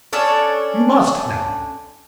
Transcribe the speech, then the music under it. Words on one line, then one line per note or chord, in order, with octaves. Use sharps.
You must, now!
C#4 D4 A4 C#5